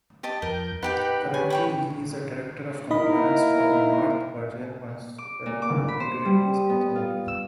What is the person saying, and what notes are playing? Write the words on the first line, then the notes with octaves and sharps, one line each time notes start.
Currently he is the Director of Compliance for the North Bergen Municipal Utilities Authority.
G4 D#5 A5
F2 A#4 G6
D#4 G4 B4 F#5 G5
C#4 G4 B4 G#5
C#5 G5 B5
A#3 D#4 E4 A#4 D#5 B5
D6
A#2
D6
B5
C5
G3
D#6
B3
F4
E6